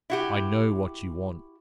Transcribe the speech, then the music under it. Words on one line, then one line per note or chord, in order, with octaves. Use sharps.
"I know what you want."
E4 F#4 G4